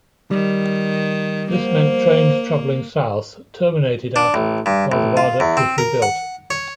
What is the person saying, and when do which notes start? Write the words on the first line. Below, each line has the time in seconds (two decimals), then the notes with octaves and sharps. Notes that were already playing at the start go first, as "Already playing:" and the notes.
This meant trains travelling south terminated at while the viaduct was rebuilt.
0.31 D#3 G3
1.52 F3 A#3 B3
4.16 D4
4.34 A1
4.66 G2
4.92 A1
5.17 F4
5.40 E2
5.57 C4
5.78 A#4
6.02 F#5
6.50 C#5